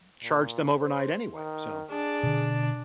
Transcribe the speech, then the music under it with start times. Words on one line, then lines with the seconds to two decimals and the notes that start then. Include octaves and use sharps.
charge them overnight anyway, so
0.23 A#2
0.77 C5
1.35 D#3
1.91 D4 G#4
2.23 B2 D3